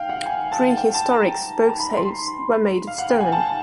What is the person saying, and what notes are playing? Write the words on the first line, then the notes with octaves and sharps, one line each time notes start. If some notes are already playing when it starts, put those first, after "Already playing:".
Prehistoric spokeshaves were made of stone.
Already playing: F5 G5
F#5
G#5
A5
G5
A5
A#5
A#5
B5
C6
F5
F#5
G5
G#5
A5